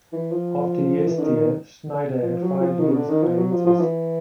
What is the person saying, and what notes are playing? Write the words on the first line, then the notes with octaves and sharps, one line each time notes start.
After "Yes, Dear", Snyder had five years-hiatus.
E3
F3
E3
D3
D#3
D#3
F3
F#3
F3
D#3
C#3
D3
D#3
F3
F#3
F3
F3
E3